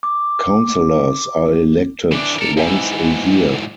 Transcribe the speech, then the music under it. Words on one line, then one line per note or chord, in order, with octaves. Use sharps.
Counselors are elected once a year.
D6
E3 D4
A4 A#4
G#2 E3